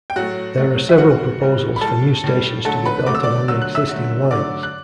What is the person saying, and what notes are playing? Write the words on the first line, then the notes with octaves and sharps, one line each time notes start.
There are several proposals for new stations to be built along existing lines.
G5
A2 F#3 A3 F#4 F#5
A2 F#3 A3
E5
A2 E3 G3 F#4 F#5
A2 E3 G3
B5
A2 G3 A4 A5
A2 G3
D3 F#3 A3 A4 A5
B4 B5
D3 F#3 A3 D6
E6
D5 D6
D3 F#3 A3 E6
F#6
E5 E6
D3 F#3 A3
D3 F#3 A3 D5 D6
F#6